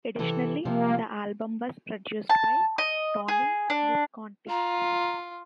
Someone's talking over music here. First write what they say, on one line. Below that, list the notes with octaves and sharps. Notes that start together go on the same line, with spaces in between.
Additionally, the album was produced by Tony Visconti.
C3 E3 A4
C3 F3 A#3
A5
D#5
G#4
D4
F4 A#5